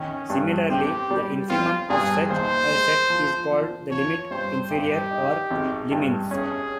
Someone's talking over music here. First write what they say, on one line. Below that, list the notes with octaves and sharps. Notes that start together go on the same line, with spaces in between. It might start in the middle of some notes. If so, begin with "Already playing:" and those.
Similarly, the infimum of such a set is called the limit inferior, or liminf.
Already playing: D#3 A#3 C#4
G2
C4 G4
G3
C4 F4
G2 G#4
D#2 C5
G#3
F3
F3
F3 C#5
G2 C5
G2 G4
D#4
G#1
G2
C#4 G#4